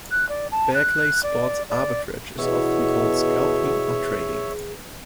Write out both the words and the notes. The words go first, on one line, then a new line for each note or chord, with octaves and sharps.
Back-lay sports arbitrage is often called "scalping" or "trading".
F#6
D5
A5
F#6
D5
D5
B2 E3 G#4 C#5 E5